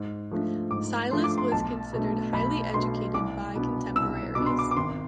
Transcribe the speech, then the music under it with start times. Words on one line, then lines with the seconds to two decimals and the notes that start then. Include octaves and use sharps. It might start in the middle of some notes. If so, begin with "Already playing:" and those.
Silius was considered highly educated by contemporaries.
Already playing: G#2
0.31 F3 A3 D4
0.71 G#2 D6
1.11 F3 A3 D4 C6
1.24 D6
1.38 C6
1.52 B1 A5
1.93 B2 A3 D4
2.33 B1 B5
2.74 B2 A3 D4 C6
3.14 C2 D6
3.55 B2 B3 D4
3.95 C2 E6
4.35 B2 B3 D4 D6
4.46 C6
4.59 D6
4.71 D6
4.77 G#1 C6